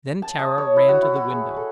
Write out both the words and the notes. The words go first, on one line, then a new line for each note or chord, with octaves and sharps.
Then Tara ran to the window.
A5
D#5
C#5
E4
F#4
E4
F#4
G#4
A4